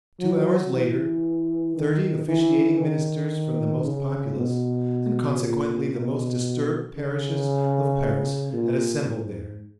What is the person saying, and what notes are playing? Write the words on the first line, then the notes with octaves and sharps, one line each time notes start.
Two hours later, thirty officiating ministers from the most populous, and consequently the most disturbed parishes of Paris had assembled there.
F#3
E3
D#3
E3
D#3
C#3
B2
A#2
B2
C#3
A#2
G#2